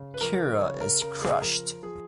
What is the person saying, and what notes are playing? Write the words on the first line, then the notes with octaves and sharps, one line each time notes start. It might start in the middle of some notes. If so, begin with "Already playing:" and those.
Kira is crushed.
Already playing: C#3
B4
F3 A#4
C#3 C#5
A#4
C#3 A#4
G#4
F3 A#4
F3 G#4